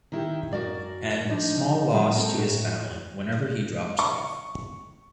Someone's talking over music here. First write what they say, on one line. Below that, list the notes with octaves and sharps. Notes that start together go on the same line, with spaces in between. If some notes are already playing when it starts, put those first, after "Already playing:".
And small loss to his family whenever he drops off.
D#3 E4 G4
F#2 F#4 A#4 D5 F5
F3 D4 D#4
A2 F3 F#3 G#3
A#3 C4 A4
A2 F#4
C#6